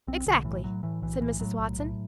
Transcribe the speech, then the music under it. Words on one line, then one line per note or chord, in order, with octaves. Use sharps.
"Exactly," said Mrs. Watson.
B1 C4
B1 D3
A2 E3
A2 F#3
A2 E3
B1 E3
A2 E3
A2 F#3
B1
A2